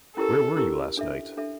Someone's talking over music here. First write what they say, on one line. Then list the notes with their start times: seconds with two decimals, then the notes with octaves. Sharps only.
Where were you last night?
0.17 C#4 E4 G4 A4 A#4
0.57 C#4 E4 G4 A#4
0.97 D4 A4 E5
1.37 D4 A4 E5